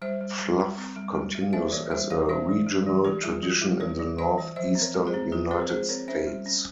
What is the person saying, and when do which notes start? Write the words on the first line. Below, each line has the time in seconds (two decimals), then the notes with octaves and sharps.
"Fluff" continues as a regional tradition in the Northeastern United States.
0.02 G3 C5 E5
0.21 G3
0.39 G3
0.58 G3
0.78 C4
0.96 G3
1.15 G3
1.35 G3
1.42 F5
1.53 A#3 C5 E5
1.72 E3 A#4 C#5
1.91 G3 C5 E5
2.10 E3 C#5 F5
2.29 E3 C5 E5
2.48 E3
2.66 G3
2.86 E3
3.05 E3 G4 A#4
3.24 G3 F4 G#4
3.43 E3 F4
3.62 G3 E4
3.80 E3 A#4 C#5
4.00 E3
4.18 E3 C5 E5
4.38 E3
4.56 F3 C5 E5
4.75 C4
4.81 A#4 C#5
4.94 G#3
5.07 G#4 C5
5.14 C4
5.32 F3 F4 G#4
5.51 C4 G#4 C5
5.61 A#4
5.70 G#3 G#4 C5
5.89 C4 A#4 C#5
6.08 C#4 C5 E5
6.27 G3
6.46 C#4